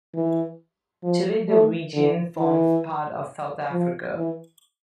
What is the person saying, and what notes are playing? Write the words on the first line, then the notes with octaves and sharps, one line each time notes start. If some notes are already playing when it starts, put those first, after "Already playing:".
Today the region forms part of South Africa.
E3
F3
A3
D3
E3
F3
E3